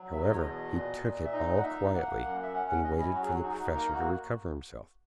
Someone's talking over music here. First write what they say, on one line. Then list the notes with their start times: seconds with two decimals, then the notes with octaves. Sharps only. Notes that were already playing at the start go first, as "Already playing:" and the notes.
However, he took it all quietly, and waited for the professor to recover himself.
Already playing: F#3
0.13 E2 E5
0.23 D#5
0.32 C#5
0.42 B2 D#5
0.73 A#2
1.03 A#2
1.25 E5
1.32 D#4 D#5
1.57 F#5
1.63 D#4 E5
1.93 A#3 F#5
2.24 F#2
2.43 E5
2.54 C#4 F#5
2.69 F#5
2.84 C#4 D#5
2.99 E4
3.14 F#3 F#4
3.22 G#4
3.28 F#4
3.36 G#4
3.43 D#4 F#4
3.50 G#4
3.58 F#4
3.74 A#3 A#4
3.94 F#4